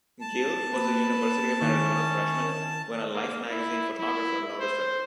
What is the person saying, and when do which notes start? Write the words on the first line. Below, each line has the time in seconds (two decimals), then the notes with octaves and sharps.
Guild was a University of Arizona freshman when a "Life" magazine photographer noticed her.
0.21 A5
0.73 A#3 B4
1.61 D#3 C#4 E4 D6
1.98 A#4
3.14 A#3
3.51 E4
3.98 E4
4.60 C5